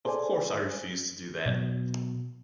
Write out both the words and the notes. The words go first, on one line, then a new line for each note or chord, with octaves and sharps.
Of course I refused to do that!
G#4 A4 C5 D5 G#5
B2 F#3